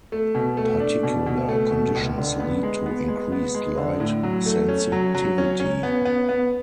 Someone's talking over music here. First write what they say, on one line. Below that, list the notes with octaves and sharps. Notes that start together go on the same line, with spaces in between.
Particular conditions lead to increased light sensitivity.
A3
B2
A3
D4
B2
B2
A3
B2
C#2
D3
B3
G#3
B3
G#3
B3
G#3
D3
A2
F#3
A3
C#4
F#3
F#3
C#4
C#4
B3
B3
B3